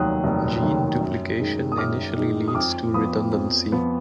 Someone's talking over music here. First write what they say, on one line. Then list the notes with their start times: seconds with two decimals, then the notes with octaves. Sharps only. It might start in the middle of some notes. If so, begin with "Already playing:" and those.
Gene duplication initially leads to redundancy.
Already playing: F1 D#2 D#3 F#3 D#6 F#6
0.24 F1
0.62 D#2 D#3 F#3
1.01 F#2
1.39 D#3 G#3 D#4
1.72 D#6
1.78 F#2 D6 F6
2.17 D#3 G#3 D#4
2.48 D#6
2.55 F2 D6 F6
2.94 F3 B3 B5 D#6
3.32 F2
3.72 F3 B3